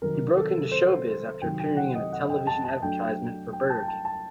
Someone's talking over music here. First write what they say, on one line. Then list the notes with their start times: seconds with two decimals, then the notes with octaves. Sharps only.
He broke into showbiz after appearing in a television advertisement for Burger King.
0.02 C3 D#3 F#3 C4 A#4
0.37 A4
0.72 C5
1.07 C5
1.42 C3 D#3 F#3 C4 D#4 G5
1.60 G5
1.77 F#5
1.95 D#5
2.12 F#5
2.30 G5
2.47 A5
2.64 A5
2.82 F#3 A3 D4 G5
3.53 G5
3.70 A5
3.83 G5
3.88 A5
4.05 A5